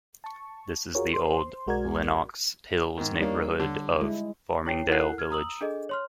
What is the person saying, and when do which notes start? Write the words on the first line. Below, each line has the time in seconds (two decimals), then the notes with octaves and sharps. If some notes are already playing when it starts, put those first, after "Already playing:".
This is the Old Lenox Hills neighborhood of Farmingdale Village.
0.24 A5 C#6
0.95 F4 F#4 G#4 A#4 C#5
1.13 C5 C6
1.67 B1 G#3 F#4 A#4 D5 G#6
2.98 G#2 D#3
3.20 G3 A#3 D4 D#4 C#5
3.60 D3
4.01 G#3 E4
4.66 E4 C#5 G5 C7
4.89 E4 A4 A#4 F#5 F#6 C7
5.18 F6 G#6
5.31 A#5 D#6 E6 F#7
5.61 D4 G#4 A4 D#5
5.89 C#5 C6 F6